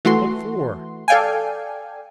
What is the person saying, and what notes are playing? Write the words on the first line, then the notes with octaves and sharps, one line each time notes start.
What for?
E3 A3 F#4 C6
A4 D5 F5 G5 G#5